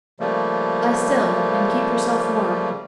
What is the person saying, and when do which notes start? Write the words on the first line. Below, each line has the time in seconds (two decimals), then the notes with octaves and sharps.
Lie still, and keep yourself warm.'
0.20 C#3 F3 G3 A3 A#3